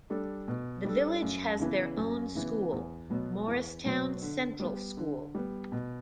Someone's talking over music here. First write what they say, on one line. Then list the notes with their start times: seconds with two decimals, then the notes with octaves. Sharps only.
The village has their own school, Morristown Central School.
0.10 G3 D4 A4
0.48 B2
0.85 G3 D4 A4
1.22 F#2
1.60 C#3 E3 B3
1.97 F#2
2.35 C#3 E3 B3
2.72 E2
3.10 B2 F#3 B3
3.48 E2
3.85 B2 F#3 B3
4.22 D3
4.60 G3 B3
4.97 D3
5.35 G3 B3
5.72 B2